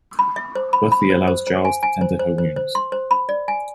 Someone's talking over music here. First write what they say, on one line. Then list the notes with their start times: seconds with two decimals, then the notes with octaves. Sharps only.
Buffy allows Giles to tend her wounds.
0.19 B5
0.36 E5
0.55 C5
0.73 B5
0.92 B5
1.10 C5
1.28 C5
1.47 C5
1.65 G#5
1.83 G#5
2.01 C5
2.19 C5
2.38 C5
2.56 C5
2.75 C6
2.92 C5
3.11 B5
3.29 D5
3.48 G#5